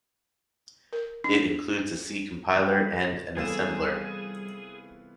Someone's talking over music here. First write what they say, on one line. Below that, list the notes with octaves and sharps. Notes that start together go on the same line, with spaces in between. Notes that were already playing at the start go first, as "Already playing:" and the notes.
It includes a C compiler and an assembler.
A#4
D4
G3
C2 E3 G3 B3 F4 G#4 A4 E5